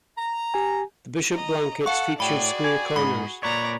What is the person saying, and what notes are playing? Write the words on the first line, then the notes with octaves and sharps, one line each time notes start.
The Bishop blankets featured square corners.
A#5
G4 G#5
D#5 A#5
A4 F5 F#5 C#6
A2 F#4 G#4 D5 G5 B5
G#5
G#2 B3 B5
A#2 B4 C#5 D5 A#5